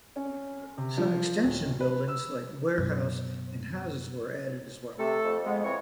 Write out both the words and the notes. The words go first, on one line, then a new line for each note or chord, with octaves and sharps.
Some extension buildings like warehouse and houses were added as well.
C#4
C3
F3
D1
B4
E6
F#2 B2
C3 A3 A4
F2
G#3 B3
E3 C4 C#5